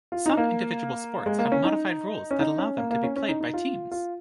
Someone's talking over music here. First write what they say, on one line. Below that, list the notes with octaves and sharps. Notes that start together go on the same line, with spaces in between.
Some individual sports have modified rules that allow them to be played by teams.
F4
D#4
A#3
G#3
A#3
C#4
D#4
C#4
D#4
C#4
A#3
A#3
C#4
C#4
D#4
D#4
F4
F4